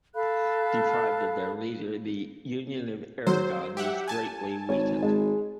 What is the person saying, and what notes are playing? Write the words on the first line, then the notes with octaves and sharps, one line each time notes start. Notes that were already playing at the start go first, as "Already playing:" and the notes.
Deprived of their leader, the Union of Aragon was greatly weakened.
A4 F5 B5 F#6
F#3 C5
G4 E5 F#5
G#5 A5
G#1 C#5
G#3